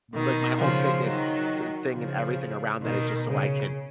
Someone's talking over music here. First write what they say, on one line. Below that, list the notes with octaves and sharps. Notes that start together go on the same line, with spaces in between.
like, my whole fitness d thing and everything around that is just so I can
B2 D#3
C#3 F3
D#3 F#3
C#3 F3
B2 D#3
C#3